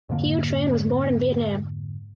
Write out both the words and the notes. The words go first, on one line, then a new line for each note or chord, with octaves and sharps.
Hieu Trinh was born in Vietnam.
F2 G#2 D3 A#3